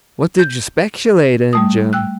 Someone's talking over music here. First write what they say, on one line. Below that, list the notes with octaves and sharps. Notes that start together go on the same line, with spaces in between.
"What did you speculate in, Jim?"
G6
G3 A3 D#6
G5 E6 F#6